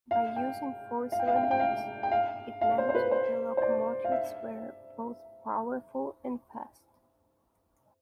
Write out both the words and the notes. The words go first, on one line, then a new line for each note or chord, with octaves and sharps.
By using four cylinders it meant the locomotives were both powerful and fast.
F5
G5
F5
G5
F5
G5
F5
G5
F5
G5
F5
F5
C5
C5
B4
C5
C5
D5
F5
E5